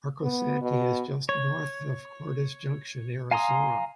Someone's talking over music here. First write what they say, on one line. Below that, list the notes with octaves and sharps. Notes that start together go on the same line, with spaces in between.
Arcosanti is just north of Cordes Junction, Arizona.
B3
B2
C#5
F5 G#5 A#5 C6 D#6